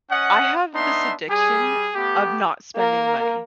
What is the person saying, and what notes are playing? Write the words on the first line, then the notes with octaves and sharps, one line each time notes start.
I have this addiction of not spending money.
C#4 D#5 F#5
B3 D4 D#4 E5 C6
G3 G#4
A3 B3 G4
A#3 A#4